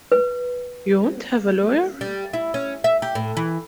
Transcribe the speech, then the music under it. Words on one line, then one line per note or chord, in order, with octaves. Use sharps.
You won't have a lawyer?
B4
G3
E4
C#4
E5
G4
A2
E3